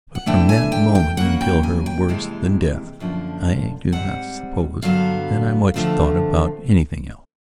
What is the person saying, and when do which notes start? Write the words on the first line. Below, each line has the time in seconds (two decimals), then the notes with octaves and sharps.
But, from that moment until her worse than death, I do not suppose that I much thought about anything else.
0.15 F#5
0.26 C3 E3 A3 D4 G5
0.49 G#5
0.72 G5
0.95 G5
1.17 C#3 F#3 A#3 F#5
1.41 G5
1.63 G#5
1.86 G5
2.08 F2 C3 E3 G#3
3.00 F#2 D3 F3 A#3 D4
3.92 G#2 E3 G3 C4 F#5
4.82 G2 D3 F#3 B3 F5
5.74 D3 F3 A3 C4